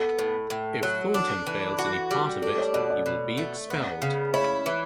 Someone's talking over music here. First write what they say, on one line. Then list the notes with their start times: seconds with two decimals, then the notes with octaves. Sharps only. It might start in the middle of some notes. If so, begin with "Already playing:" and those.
If Thornton fails any part of it, he will be expelled.
Already playing: B3 A4
0.19 A2
0.50 A2
0.83 F#3
1.14 D4
1.46 E3
1.78 F#4
2.11 G3
2.42 D4 A4
2.58 C#5
2.74 B2 D5
2.90 D5
3.06 B2
3.38 A3
3.70 B3
4.02 C#3
4.34 E4 C#5
4.66 E3